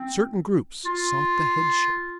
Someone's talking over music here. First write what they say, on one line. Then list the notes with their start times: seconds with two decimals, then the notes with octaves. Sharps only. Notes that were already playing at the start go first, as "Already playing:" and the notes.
Certain groups sought the headship.
Already playing: C4
0.85 F4